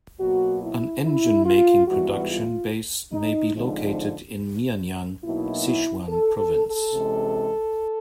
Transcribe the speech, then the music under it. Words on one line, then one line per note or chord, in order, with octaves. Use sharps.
An engine-making production base may be located in Mianyang, Sichuan province.
B2 F#3 A#3 F#4
E4
E4
F4
G#2 E3 G3 B3 F#4
F4
D#4
D3 F3 G#3 C4 D#4
B2 F#3 A#3 D#4 E4
A4
A4
A4
C3 E3 G#3 C#4